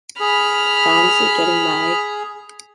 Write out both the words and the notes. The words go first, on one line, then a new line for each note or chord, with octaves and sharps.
Fancy getting married?
G#4 B5 F6